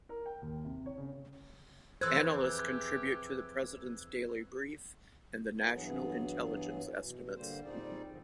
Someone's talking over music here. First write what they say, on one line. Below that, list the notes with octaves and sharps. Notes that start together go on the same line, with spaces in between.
Analysts contribute to the President's Daily Brief and the National Intelligence Estimates.
A#4
G5
D#2
C3
C#5
C#3
F2 E3 G4 G#4 C5 E6 F#6 G#6
E4 F#4 A4 B4
G2 E3 F#3 B3 G#4
B2
D3 G3 A#3 C5
A#2 G3 C4 D#4 G#4 D5
G2 D3 F3